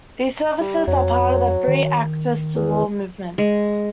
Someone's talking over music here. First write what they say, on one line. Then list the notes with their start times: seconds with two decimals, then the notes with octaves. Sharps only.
These services are part of the Free Access to Law Movement.
0.60 G3
0.87 F2 F#3
1.68 D#3
2.56 E2
3.38 G#3